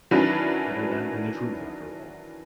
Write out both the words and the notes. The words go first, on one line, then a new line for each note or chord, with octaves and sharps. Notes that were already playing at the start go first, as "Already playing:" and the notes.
Better that than the truth, after all.'
D#3 E3 F#3 C#4 D4 B4